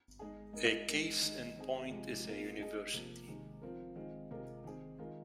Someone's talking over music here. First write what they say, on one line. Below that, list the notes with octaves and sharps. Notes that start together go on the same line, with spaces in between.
A case in point is a university.
G#3 D#4 G#4
G#3 D#4 A#4
G#3 D#4 A#4
D#3 G#3 D#4
D#3 C4 D#4 G#4
C3 F3 G#3
A#2 G#3 C4 F4 A#4
G#3 D#4 G#4
C3 F3 A#3
C3 D#3 G#3
F3 C4 F4 A#4
D#3 G#3 C4 F4
C3 G#3 F4 A#4
D#3 C4 G#4
D#3 G#3 F4 A#4